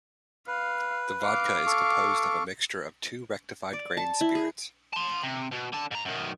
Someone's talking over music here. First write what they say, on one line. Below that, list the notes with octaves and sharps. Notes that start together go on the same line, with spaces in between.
The vodka is composed of a mixture of two rectified grain spirits.
B4 F5
F5 D6
A4 C#6
D5
A5
E4
G#4
A5 C6
C3
B2
D3 A5
G#2 A#5
F#2 D#3